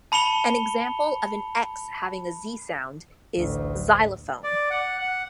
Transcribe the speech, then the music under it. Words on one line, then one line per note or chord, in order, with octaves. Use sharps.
An example of an X having a Z sound is xylophone.
A5 B5 C#7 F7 G7
A1 D2
D5
F#5
F#5